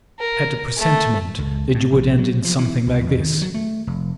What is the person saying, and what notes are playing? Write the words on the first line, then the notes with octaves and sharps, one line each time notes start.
I had a presentiment that you would end in something like this.
A#4
A3
C#2
A2
A#1
F#3
F3
E3
C2
E2
D#3
F#3
A3
F1